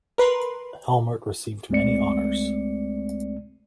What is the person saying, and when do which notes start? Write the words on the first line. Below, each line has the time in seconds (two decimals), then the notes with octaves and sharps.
Helmert received many honours.
0.18 A#4 B4 C6
1.70 C#2 G#3 A3 C4 D5 C#7